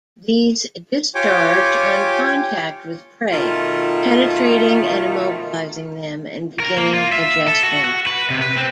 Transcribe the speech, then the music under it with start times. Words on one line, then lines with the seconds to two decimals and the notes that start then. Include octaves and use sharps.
These discharge on contact with prey, penetrating and immobilizing them, and beginning digestion.
1.15 F4 G4 C#5 G5 G#5 D6
3.32 B2 D#3 A3 F4
6.60 A#4
6.78 A#3
6.93 F4
7.13 E5
7.48 A4
7.63 F#4
7.84 F#4
8.07 B4
8.30 C3
8.42 B4
8.57 C4